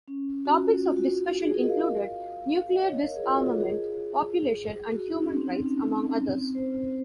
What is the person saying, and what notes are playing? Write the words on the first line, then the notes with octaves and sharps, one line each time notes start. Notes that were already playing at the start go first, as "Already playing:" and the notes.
Topics of discussion included nuclear disarmament, population and human rights, among others.
C#4
F#4
F4
F4
F#4
G#4
A#4
D#5
F5
D#5
C#5
C#5
A#4
G#4
F4
F#4
F4
G#4
F#4
D#4
C#4
C4
D#4
C#4
C#4
C#4
C4
C#4
C4
C5